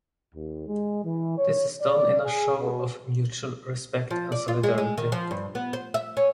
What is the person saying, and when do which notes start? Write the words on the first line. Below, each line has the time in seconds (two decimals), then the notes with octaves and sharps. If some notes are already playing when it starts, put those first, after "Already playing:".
This is done in a show of mutual respect and solidarity.
0.35 D#2
0.68 G#3
1.05 E3
1.38 C#5
1.82 D5
2.24 G#4
2.59 B2
4.11 F3
4.32 D5
4.48 F4
4.64 G#3
4.78 G#3
4.98 D#3
5.12 F3
5.31 G2
5.55 B3
5.73 C5
5.94 E5
6.17 C#4